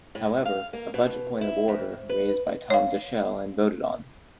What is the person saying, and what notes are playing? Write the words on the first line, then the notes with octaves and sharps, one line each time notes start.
However, a budget point of order raised by Tom Daschle, and voted on.
A2
F5
A#3
B2
E4
F2
B4
C#5 F5